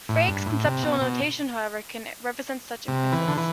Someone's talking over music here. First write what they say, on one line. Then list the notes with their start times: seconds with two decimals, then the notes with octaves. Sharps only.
Frege's "conceptual notation" however can represent such inferences.
0.09 A2
0.28 G2
0.46 A2
0.64 C3
0.83 B2
1.01 B2
2.88 C3
3.12 E3
3.28 D3
3.37 E3